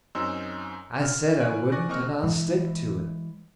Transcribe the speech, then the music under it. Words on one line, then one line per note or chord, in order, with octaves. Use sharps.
I said I wouldn't, and I'll stick to it.
F#2 C4 C#4 D#4 C6 E6
F6
E3 C#5 G#5 F#6 D7
D5 G#5 C#6 F#6 A#6
A#3 C4 D#5 C#6 F6
E3 G#3